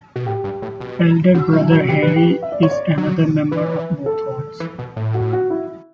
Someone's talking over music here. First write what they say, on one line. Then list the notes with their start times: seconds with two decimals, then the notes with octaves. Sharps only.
Elder brother Harry is another member of both Halls.
0.16 B2
0.26 A2 G4
0.44 G2
0.62 A2
0.80 B2
1.34 C#3 F#4
1.53 F#3 E4
1.71 F#3 F#4
1.88 E3 G4
2.02 B4
2.07 E3
2.16 G4
2.30 B4
2.43 E5
2.52 D5
2.63 C#5
2.71 D5
2.98 F#3
3.51 E3 B4
4.06 A4
4.60 E3
4.78 B2
4.96 A2
5.14 F#4
5.33 F#4
5.50 E4